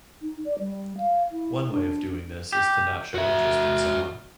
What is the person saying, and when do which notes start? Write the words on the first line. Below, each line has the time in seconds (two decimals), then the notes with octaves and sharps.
One way of doing this is to not show interest in someone.
0.22 D#4
0.45 D5
0.59 G3
0.98 F5
1.32 E4
1.71 D4
2.53 G4
3.15 F#4 E5